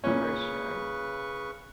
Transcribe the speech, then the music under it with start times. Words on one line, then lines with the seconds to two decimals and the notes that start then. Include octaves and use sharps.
For sure.
0.04 A#2 C#3 C#4 B4 C#6